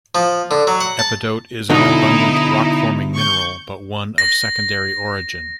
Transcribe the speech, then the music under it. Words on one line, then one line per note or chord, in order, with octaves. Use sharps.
Epidote is an abundant rock-forming mineral, but one of secondary origin.
F3
D3
F#3
F#5
A5
B2 D3 F#3 D#4 E4
C#6 G6
A#6